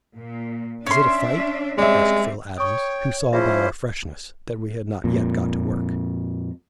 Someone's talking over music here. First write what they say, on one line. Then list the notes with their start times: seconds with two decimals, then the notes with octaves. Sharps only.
"Is it a fight?" asked Phil Adams, who saw by our freshness that we had not yet got to work.
0.16 A#2
0.87 C#4 D4 E5 C6
1.78 G3 G#3 C4 D5 E5
2.57 C#5 G5 C#6 D#6
3.33 F3 C#4 E4 F4 G#4 C5 E5
5.04 F2 A#2